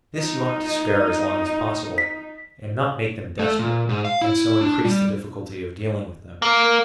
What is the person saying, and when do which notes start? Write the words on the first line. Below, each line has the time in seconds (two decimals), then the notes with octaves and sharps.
This you ought to spare as long as possible, and not make them desperate, and so increase the difficulty of dealing with them.
0.17 D#4
1.98 B6
3.39 A3
3.59 A#2
3.89 G#2
4.05 F5
4.21 E4
4.61 D4
4.85 G3
6.42 A#3